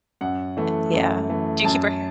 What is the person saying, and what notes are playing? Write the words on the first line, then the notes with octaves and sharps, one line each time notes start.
Yeah. Do you keep her hair
F#2 F#5
E3 A3
F#2
E3 A3
F#2 A5